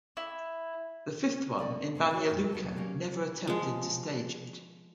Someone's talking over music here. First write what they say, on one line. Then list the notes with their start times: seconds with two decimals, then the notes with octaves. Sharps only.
The fifth one, in Banja Luka, never attempted to stage it.
0.17 E4
1.59 D3 D5 D#5
1.95 D2 A2 C4 C#4
2.13 C4 F#4 G#4 A#4 B4 C#5
2.29 F2 A#2 A3 C4
2.52 D2 F#3 B3 F4 A4 B4
2.76 F#3 G3 A#3 C#4
3.47 F3 G#3